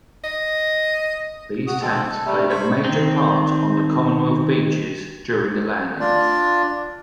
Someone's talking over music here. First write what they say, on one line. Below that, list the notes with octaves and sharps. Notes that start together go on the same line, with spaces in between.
These tanks played a major part on the Commonwealth beaches during the landings.
D#5
F#4 D#6
G#3 C4 A4
A4
C3 G3 A3
C5 B5 C#6
D#3 C4
D4 F4 D5